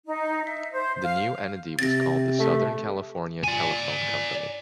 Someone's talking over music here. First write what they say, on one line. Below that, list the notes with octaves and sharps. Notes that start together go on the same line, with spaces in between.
The new entity was called The Southern California Telephone C.
D#4
E5
C5
F5
C3 C4 A6 A#6
A3 E5
D5 G#5